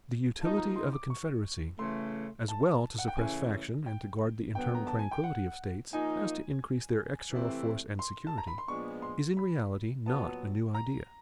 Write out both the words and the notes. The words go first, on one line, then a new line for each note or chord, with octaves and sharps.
The utility of a Confederacy, as well to suppress faction and to guard the internal tranquillity of States, as to increase their external force and security, is in reality not a new idea.
F3 A#3 D#4 A5
A#5
C6
D6
C#6
C#3 E3 A3 C6
A5
F#5
G5
C#3 E3 A3 C#4 E4 G#5
G5
D3 F#3 B3 G5
A#5
A5
G#5
G5
F#5
F3 A#3 D#4 G#5
C3 E3 A3 C4 E4
C6
A5
A#5
B5
C6
A#2 F3 G#3 B3 D4 C#6
C6
B5
A#2 F#3 B3 A5
A#5